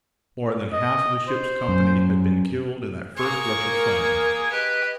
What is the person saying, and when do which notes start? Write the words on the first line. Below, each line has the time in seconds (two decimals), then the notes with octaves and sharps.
More than half the ship's company had been killed in that first rush of flame.
0.72 D#5
1.28 C5
1.68 F#2
3.17 A#3 G#4 C#6
3.69 A#4
4.52 G4 B4 D#5